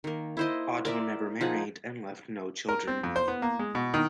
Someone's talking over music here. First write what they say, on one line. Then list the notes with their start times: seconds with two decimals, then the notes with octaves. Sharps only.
Otto never married and left no children.
0.04 D#3 A#3
0.37 E4 C5 D#5
0.85 A#4 D5 E5
1.41 F3 D#4 G#4 F#5
2.69 A#4
2.87 C4
3.04 F2
3.16 C5
3.28 B3
3.42 A#3
3.59 G#3
3.75 B2
3.94 D#3